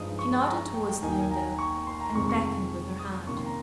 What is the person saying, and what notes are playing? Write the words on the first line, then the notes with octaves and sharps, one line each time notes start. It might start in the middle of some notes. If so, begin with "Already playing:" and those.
She nodded towards the window, and beckoned with her hand.
Already playing: G2 F3 G#3 D#4 D#6
C#6
A#5
G5
G5
D#2 D#3 A#3 D#4 G#5
G5
G#5
A#5
C#6
C6
A#5
F2 C3 D#3 G#3 C#6
C#6
D#6
C3 D#3 A#3 C#4 C#6
C6
A#5